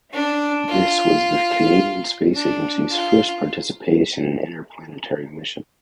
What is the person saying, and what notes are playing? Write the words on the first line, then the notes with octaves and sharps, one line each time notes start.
This was the Canadian Space Agency's first participation in an interplanetary mission.
D4
F4
D4
F4